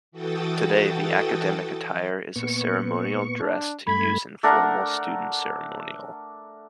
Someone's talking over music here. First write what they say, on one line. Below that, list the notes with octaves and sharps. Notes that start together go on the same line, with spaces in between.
Today the academic attire is a ceremonial dress to use in formal students ceremonial.
E3 F#4 A4 G5 D#6 A6
A#2 B3 C#6
D4
G2 A3 B5 G#6
A3 D4 A#4 F#5